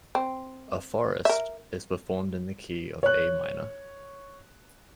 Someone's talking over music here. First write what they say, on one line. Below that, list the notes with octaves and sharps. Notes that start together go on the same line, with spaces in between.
"A Forest" is performed in the key of A minor.
C4
A#4 E5
C#5 F#6